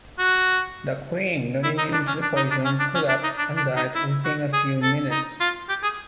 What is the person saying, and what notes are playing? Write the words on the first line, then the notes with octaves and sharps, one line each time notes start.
The queen not immune to the poison collapsed and died within a few minutes.
F#4
E4
D#4
D4
C#4
D4
D#4
D4
C#4
D4
C#4
D4
D#4
D4
D4
D#4
E4
F#4
G#4
A4
D#4
F4
G4
G#4